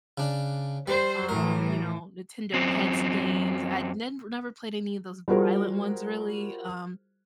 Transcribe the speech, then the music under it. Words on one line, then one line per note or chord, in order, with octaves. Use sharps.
um, you know, Nintendo Pets games, I'd nin never played any of those violent ones really, um,
C#3 D4
G3 C5
A2 E3 A#4
F#2 C4
G3 F4 F#4 G#4 A#4 C5